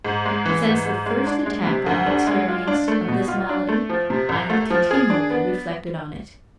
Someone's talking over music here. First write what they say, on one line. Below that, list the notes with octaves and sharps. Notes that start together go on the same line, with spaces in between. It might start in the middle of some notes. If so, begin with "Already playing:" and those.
Since the first attack I experienced of this malady, I have continually reflected on it.
G#2
G#3
E3
G#2
G#2
G#3
D4
G#3
C3
D2
D4
G#3
F4
D4
A3
B2
F4
D4
A3
F3
C3
C2
A3
F3
G#4
D4
B3